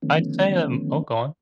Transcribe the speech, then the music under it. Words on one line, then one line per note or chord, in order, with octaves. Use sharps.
I'd say, um Oh, go on.
D3 D#3 F3 A3 B3 C#4